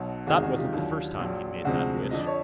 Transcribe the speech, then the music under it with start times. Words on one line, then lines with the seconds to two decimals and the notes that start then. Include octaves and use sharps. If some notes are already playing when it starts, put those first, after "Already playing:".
That wasn't the first time he'd made that wish.
Already playing: B1 B2 F#3
0.27 E2 C3 D#3 G#3 F#4 G#4
0.42 F#4 G#4
0.58 F4 G4
0.73 D#2 D3 F#3
1.19 A#1 A#2 F#3
1.65 D2 C3 F3 G#3 F#4 G#4
2.11 F2 D3 F3 D#5
2.19 D5
2.27 C#5